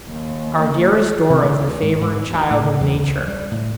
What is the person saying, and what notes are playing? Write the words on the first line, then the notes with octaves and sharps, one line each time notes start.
Our dearest Dora is a favourite child of nature.
D#2
C3
A3
D2
G#2
G#2
D2
A2
E2
C#2
G3
A2